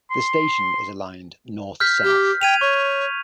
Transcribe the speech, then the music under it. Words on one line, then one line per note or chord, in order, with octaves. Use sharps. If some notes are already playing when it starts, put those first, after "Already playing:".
The station is aligned north-south.
C6
F6 G6 B6
G4
G5 G#6 D#7 F7
C#5 C#6